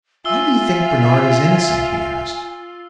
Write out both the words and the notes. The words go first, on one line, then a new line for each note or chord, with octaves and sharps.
"Why do you think Bernard is innocent?" he asked.
F4 E5 G#5 E6 G7